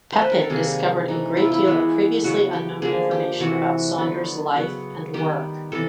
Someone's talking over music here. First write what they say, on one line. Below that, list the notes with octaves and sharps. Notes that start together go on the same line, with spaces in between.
Peppin discovered a great deal of previously unknown information about Saunders' life and work.
C5
B4
A#4
A4
C3 D#3 G3 A#3 G#4
E3 A3 D#4
E4
F4
E4
E3 G#3 B3
C#3 F#3 B3 F#4
G4
D3 F3 A#3 G#4
G4
C3 E3 A3 F#4
D3 F#3 B3
C#3 F#3 B3
D#3 G3 B3 G4
C3 E3 G3 A4